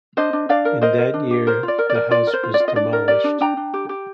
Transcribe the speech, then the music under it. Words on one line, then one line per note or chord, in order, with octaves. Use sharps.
In that year the house was demolished.
D4 C5 D#5
D4
D4 D5 F5
A#4
A#4 C5 D#5
A#4
D4
G4
A#4 C5
F4
D5
A#4
D5
A#4
F4 D5
A#4
C5
F4
D5
F4
D#5
D4 D5
A#4
G4 D5
D4
D4 G5 A#5
D4
G4
G4